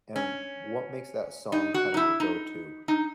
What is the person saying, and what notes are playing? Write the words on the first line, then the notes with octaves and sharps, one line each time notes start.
and what makes that song kinda your go-to?
C#4
D#4
F#4
D#4
E4
D#4
D#4